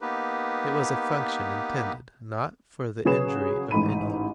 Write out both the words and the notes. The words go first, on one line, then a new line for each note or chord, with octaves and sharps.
It was a function intended not for the injury of any.
A#3 B3 D#4 G4 B4
C#3 F#3 C#4 G#4 B4 E7
A1 G#2 B5 D#7